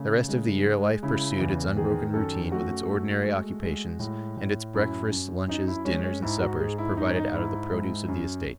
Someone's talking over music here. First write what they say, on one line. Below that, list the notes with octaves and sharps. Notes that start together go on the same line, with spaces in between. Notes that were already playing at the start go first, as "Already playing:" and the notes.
The rest of the year life pursued its unbroken routine with its ordinary occupations, and its breakfasts, lunches, dinners, and suppers, provided out of the produce of the estate.
Already playing: C#3 A3
G#3
G#3
C#3 E4
E2
D#3 G#4
F#2 A4
A3 F#4
A3
G#3
G#3
A2
A2
F#2 E4
F#2
F#2 D#4
E4
G#3 C#4
C#4
G#2 E4
F#4
G#2 G#4
E4
G#2 D#4
C#4
D#4
G#2 E4
G#3
F#2